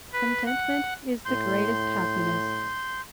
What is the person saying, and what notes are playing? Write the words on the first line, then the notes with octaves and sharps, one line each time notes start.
"Contentment is the greatest happiness."
B4
F#5
A2 C6 G6